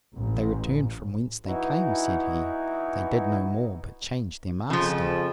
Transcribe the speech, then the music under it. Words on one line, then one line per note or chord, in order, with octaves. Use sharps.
They returned from whence they came, said he; they did no more but change their master.
A1
E3 B3 D#4 E4 F#4
F2 C#3 F3